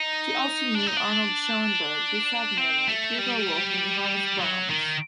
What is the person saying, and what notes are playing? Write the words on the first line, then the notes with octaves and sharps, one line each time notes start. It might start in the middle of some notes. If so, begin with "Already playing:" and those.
She also knew Arnold Schoenberg, Gustav Mahler, Hugo Wolf and Johannes Brahms.
Already playing: D#4
D4
D#4
D4
C4
A3
G3
F#3
D#3